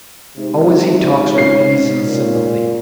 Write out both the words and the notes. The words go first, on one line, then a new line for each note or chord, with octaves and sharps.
Always he talks with ease and sympathy.
G#2 C3
C#4 C7
A#2